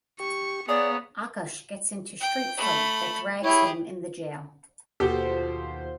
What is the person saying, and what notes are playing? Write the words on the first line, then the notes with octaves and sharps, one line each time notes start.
Aakash gets into street fight that drags him in the jail.
G4 C#6
B3 G#4 C#5 D5 F5 A#5
G5
A3 B5
E4 G4 G#4 C#5
D#2 B2 F4 G4 A4 C5